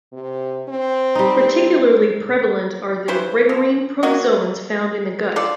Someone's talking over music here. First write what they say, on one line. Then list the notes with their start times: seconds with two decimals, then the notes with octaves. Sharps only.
Particularly prevalent are the gregarine protozoans found in the gut.
0.13 C3
0.69 C4
1.15 G3 D#4
3.08 C#3 E3 B4 C5
3.49 F3
4.03 F#3 A#3 F#4 D#5
5.36 F4 A4 D5